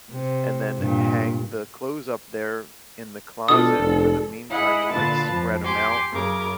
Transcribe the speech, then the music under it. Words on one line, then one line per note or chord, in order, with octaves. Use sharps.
and then hang the clothes up there in the closet for the meantime and, like, spread 'em out.
C3
G2 A#2
B2 D4 F4 A4 D#6
F1
E4 G#4 D#5 F#5 B5
A#2 D3 F4 B4 A5 A6
F2 F3
G4 G5 G#5 C6 D6
F#2 C#3 A#4 D6